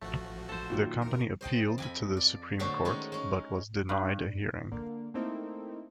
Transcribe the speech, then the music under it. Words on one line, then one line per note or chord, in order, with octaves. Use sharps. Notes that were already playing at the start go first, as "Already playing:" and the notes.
The company appealed to the Supreme Court, but was denied a hearing.
A1 F3 A3 F#4
A4 C5
A#2 D#3 F#3
A#4
C5 D#5 G5 A5
F2 G#5 B5
D5
A#2 D3 F#3 A3 C5 C#5
D#3 G#3 A3 C#4 D#4
G#3 C#4
G2
D3 A#3
A3 A#3 C4 D#4 E4